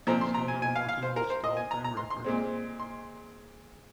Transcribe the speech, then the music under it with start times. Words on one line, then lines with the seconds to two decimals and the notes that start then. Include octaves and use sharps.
Alexander Morten holds the all-time record.
0.07 A#2 F3 C4 A#5
0.21 C6
0.34 A#5
0.48 G#5
0.62 G#5
0.76 F5
0.88 F5
1.03 C5
1.16 A#4
1.30 C5
1.44 D#5
1.57 G#5
1.71 A#5
1.84 A#5
1.97 C6
2.10 C6
2.25 A#2 G#3 C4
2.79 C6